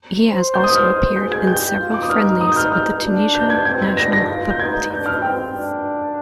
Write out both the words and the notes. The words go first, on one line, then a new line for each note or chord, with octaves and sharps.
He has also appeared in several friendlies with the Tunisia national football team.
C5
G6
D#6
F6
G#4 G6
G#6
G4 G6
F4
D6
D#6
D#4 F6
D#6
G6
F6
F6
D4
G6
G#6
C4 G#6
G#6
D4 A#6
A#6
F4
G6
D#4 G#6
D4 G6
F6
C4 G5
D4